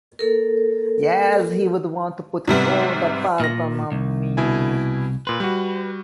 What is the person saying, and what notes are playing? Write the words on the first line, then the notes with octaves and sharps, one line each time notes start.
Yes, he would want to put all the burden on me.
A#3 A4 A#4
G#2 C3 G3 B3
A#2 F6 A#6
C2
B2 E4 G#5
A#2 B4 C6
G3 F#4